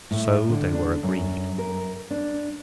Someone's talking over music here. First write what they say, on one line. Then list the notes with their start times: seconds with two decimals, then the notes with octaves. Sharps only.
So they were agreed.
0.11 A2
0.50 D3
0.74 D4
1.03 F#2
1.58 A#4
2.11 D4